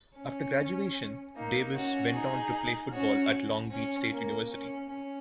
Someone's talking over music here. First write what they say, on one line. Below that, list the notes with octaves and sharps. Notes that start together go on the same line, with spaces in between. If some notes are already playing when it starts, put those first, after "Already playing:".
After graduation, Davis went on to play football at Long Beach State University.
C#4
A#3 D#4
C#4 F#4
D#4 G#4
C#4 F#4
C#4
A#3
C#4
C#4